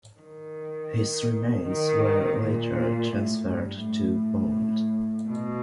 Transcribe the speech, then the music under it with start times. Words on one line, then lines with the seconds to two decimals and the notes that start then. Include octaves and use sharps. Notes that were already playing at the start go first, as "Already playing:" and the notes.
His remains were later transferred to Poland.
0.20 D#3
1.65 D#3
2.38 A#2
3.10 A2
3.47 G2
3.83 A2
5.29 B2